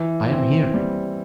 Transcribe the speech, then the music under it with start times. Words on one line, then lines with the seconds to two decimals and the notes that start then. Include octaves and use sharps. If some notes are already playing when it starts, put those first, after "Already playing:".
I am here.'
Already playing: E3
0.30 C4
0.74 G3